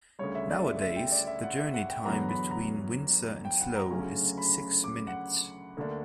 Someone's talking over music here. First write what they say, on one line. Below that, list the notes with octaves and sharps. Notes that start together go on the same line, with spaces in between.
Nowadays, the journey time between Windsor and Slough is six minutes.
D2 C#3 G3 C#5
E5
D5
E5
E5
G5
D5
E5
F#5
E5
F#5
G5
E2 D3 F#3 B3 A#5
B5
A#5
G5
F#5
A#5
D2 C#3 F#3 C#4
B5
D6
F#5
D2 D3 A#3 D4